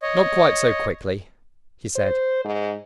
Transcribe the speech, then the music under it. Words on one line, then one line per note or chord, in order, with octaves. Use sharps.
"Not quite so quickly," he said.
C#5 D#5
C5
G#2